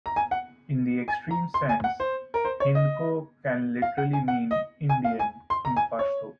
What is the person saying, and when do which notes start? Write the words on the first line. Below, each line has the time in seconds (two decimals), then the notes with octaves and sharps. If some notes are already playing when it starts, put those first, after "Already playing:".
In the extreme sense, Hindko can literally mean "Indian" in Pashto.
0.06 A#5
0.16 G#5
0.31 F#5
1.08 G#5
1.31 A#5
1.54 C6
1.69 G#5
1.84 F#5
2.00 C5
2.34 A#4
2.45 C5
2.60 C#5
2.75 D#5
3.82 F5
3.98 F#5
4.13 G#5
4.28 F#5
4.51 D#5
4.89 G#5
5.05 F5
5.19 G#5
5.50 C6
5.65 A#5
5.77 G#5
5.99 C#5